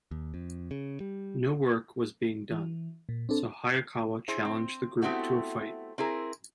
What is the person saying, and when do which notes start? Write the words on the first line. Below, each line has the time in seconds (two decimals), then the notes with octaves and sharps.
No work was being done, so Hayakawa challenged the group to a fight.
0.11 D#2
0.34 F2
0.71 C#3
1.00 G3
2.51 E3
3.09 A#2
3.29 C4 D4 A4
4.28 E4 G#4 C5
4.45 C4
5.02 A3 B3 C4 E4 F#4 G4
5.98 C4 E4 G#4 A#4